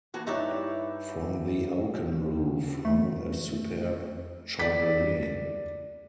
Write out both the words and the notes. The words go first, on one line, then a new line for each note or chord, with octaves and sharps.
From the oaken roof hung a superb chandelier.
E3 A#3 F#4 A5
G2 D#4 E4 C#5 D5
A3
D5 B6